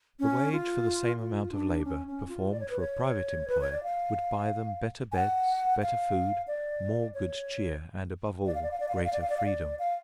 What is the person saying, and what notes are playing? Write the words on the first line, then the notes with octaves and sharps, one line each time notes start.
The wage for the same amount of labour, performed for a private employer, would buy them better beds, better food, more good cheer, and, above all, greater freedom.
C#4
F4
F4
D4
C#4
C#4
F4
D5
C#5
B4
C#5
B4
C#5
D5
F5
G#5
F#5
F5
D5
C#5
D5
F5
D5
F5
D5
F5
D5
F5
D5
F5
D5
F5
D5
F5